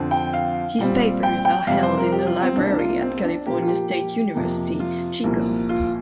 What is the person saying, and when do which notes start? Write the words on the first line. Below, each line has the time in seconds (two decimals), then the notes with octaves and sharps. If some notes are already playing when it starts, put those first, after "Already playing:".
His papers are held in the library at California State University, Chico.
Already playing: F2 D3 F3 C4
0.11 G5
0.33 F5
0.78 A#2 G3 C4
1.23 G5
1.45 G5
1.67 F2 C3 G3 C4 F5
1.83 C5
1.97 A#4
2.12 G4
2.27 F4
2.42 C4
2.57 C2 C3 A#3 D4
2.70 D4
2.79 F4
3.02 C4
3.23 D4
3.46 A#2 F3 A#3 G4
3.62 F4
3.68 G4
3.91 G4
4.35 F2 C3 F3 A#3
4.80 F4
5.24 C2 A#2 F3 A#3
5.69 F4